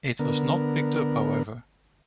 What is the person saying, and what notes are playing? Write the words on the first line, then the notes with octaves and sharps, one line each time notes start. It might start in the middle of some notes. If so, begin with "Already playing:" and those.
It was not picked up, however.
D3 B3 A#4